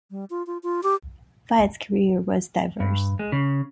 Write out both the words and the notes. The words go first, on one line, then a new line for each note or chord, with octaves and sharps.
Wyatt's career was diverse.
G3
F4
F4
F4
G4
G2
G#3
C#3